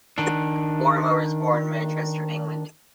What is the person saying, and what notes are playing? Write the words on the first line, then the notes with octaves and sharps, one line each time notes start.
Lorimer was born in Manchester, England.
D#3 D4